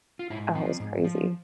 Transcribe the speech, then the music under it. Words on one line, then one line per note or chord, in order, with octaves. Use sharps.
Oh, it was crazy.
F4
G#2 E4
F3 C4
G#2
F3